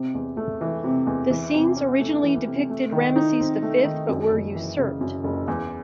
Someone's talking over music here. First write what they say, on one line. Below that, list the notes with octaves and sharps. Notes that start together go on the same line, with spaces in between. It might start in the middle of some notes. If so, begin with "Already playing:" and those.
The scenes originally depicted Ramesses the Fifth but were usurped.
Already playing: C3
E2
A3
E3
C3
E2
E3
C3
C#4
A3
E3
C3
A3
D#3
D#4
C4
A3
D#3
F#2
F#1
E3
C#3
F#2
F#1
E2